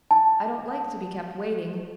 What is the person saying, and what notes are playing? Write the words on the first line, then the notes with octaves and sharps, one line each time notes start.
I don't like to be kept waiting.
A5